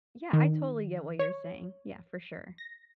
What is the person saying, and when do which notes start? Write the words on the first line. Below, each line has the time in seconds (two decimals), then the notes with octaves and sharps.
Yeah, I totally get what you're saying. Yeah, for sure.
0.33 D#3
1.19 C#5
2.58 A#6